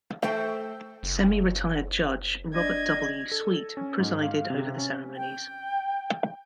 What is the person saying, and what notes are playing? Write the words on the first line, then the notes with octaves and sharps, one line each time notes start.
Semi-retired Judge Robert W. Sweet presided over the ceremonies.
A3 A4 C5 E5 G5
F#1
D4 D5 D#5 G#6
A4
C#4
G#2
F5
C3
C#4
G5